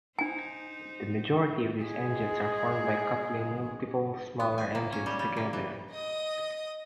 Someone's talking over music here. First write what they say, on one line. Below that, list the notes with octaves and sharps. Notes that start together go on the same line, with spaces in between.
The majority of these engines are formed by coupling multiple smaller engines together.
D4 D#4 C5 G#5
G#3 G#4
B3
G#5
A#3
C#4
G3
G3
A#3
E3
D#5 D#6